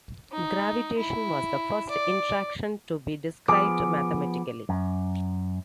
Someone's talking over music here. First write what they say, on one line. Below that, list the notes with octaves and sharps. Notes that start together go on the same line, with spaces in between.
Gravitation was the first interaction to be described mathematically.
D#4
E4
D5
F3 B3 G#4 D6
F#2